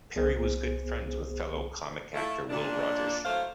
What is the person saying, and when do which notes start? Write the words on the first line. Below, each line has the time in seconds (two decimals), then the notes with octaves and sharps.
Perry was good friends with fellow comic actor Will Rogers.
0.16 C2 B3 G#4 C5
2.14 A3 E4 F4
2.50 A#2 D4
3.25 F#3 A3 A#3 E4 C5 F5